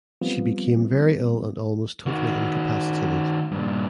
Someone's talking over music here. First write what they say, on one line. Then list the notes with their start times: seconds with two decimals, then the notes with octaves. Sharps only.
She became very ill and almost totally incapacitated.
0.21 F3 G3 B3 C4 F4
2.06 D#3 F#4
3.52 G2 A#2